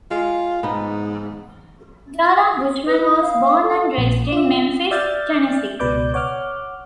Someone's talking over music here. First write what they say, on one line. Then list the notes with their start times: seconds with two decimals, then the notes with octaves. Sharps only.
Dana Buchman was born and raised in Memphis, Tennessee.
0.11 G#3 F4
0.63 G#2 B3 D#4
2.87 B4
3.00 E4
3.21 F5
3.63 A4
3.98 A#1 A#2
4.32 F4 E5
4.91 D5 E5 F6 G6 A6
5.79 C#2 B2 B4 D5 D6 G6
6.14 C#5 F#5 D6 F6